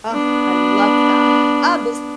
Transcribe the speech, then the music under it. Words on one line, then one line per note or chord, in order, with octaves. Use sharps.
Ugh, I love that. Oh, this
B3 D4